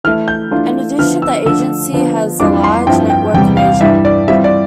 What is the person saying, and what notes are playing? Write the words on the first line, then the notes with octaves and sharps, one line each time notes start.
In addition, the agency has a large network in Asia.
E3 A3 E4 F6
G6
E3 A3 D4 F4
D3 F3 B3 E4 F6
E6
D3 F3 A3 D4 E6
D3 F3 B3 D4
F2 E3 G3 D4 F4 D6
C6
G2 F3 C4 E4 G5
G5
E2 C3 G3 G5
F5
G2 E3 G3 E5
D5
E3 G3 C4 F4 E5
D5